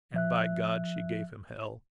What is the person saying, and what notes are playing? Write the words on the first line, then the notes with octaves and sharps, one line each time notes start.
And, by God, she gave him hell.
F3 E5 F#6